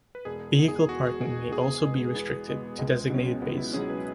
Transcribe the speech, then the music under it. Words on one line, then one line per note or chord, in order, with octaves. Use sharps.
Vehicle parking may also be restricted to designated bays.
B4
E1 G#4
E2 B2
G#4
E1 F#4
E2 B2 G#4
E2 G#4
B2 G#3 B3
E2 B3
B2 G#3 B3
C#2 G#3
B2 F#3 C#4
C#2 B3
E4
B2 F#3 C#4 G#4
B4